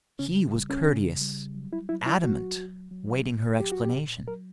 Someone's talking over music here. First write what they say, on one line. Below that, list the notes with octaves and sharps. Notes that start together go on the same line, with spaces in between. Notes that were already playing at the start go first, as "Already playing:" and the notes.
He was courteous, adamant, waiting her explanation.
C#3 C#4
G3
C#4
C#3
G3
F#3
E4
F#3 E4
E4
F#3 F#4
F#3
F#3
A#2
F#3 G4
F#4
G4
A#2
F#3 A#4